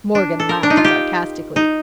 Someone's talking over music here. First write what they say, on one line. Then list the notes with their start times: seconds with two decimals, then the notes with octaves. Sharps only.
Morgan laughed sarcastically.
0.15 D4
0.40 A4
0.49 A#4
0.63 D4
0.70 D#4
0.77 F4
0.84 G4
1.56 D#4